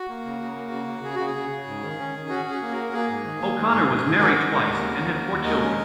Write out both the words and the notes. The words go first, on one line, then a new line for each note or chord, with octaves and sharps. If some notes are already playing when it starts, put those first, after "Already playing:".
O'Connor was married twice and had four children.
Already playing: F#4
A#3
C#3
C#3
A#3
C#3
C#3
C#3 G#4
C#3 F#4
G#4
C#3
C#3
G#2
D#3
C#4
D#3
C#4 F#4
C#4
G#4
A#3
F#4 A#4
A#3
A#3 G#4
G#2
D#3
A#3
D#3
G#2
G#2
G#2
G#3 F#4 A#4
G#3
G#3
D#2
C#3
D#2
D#2
D#2
G#3 A#4 D#5
C#4